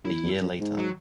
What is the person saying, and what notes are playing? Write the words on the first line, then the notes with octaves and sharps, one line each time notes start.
A year later.
F#2 E4
E2
F#2
G#2
F#3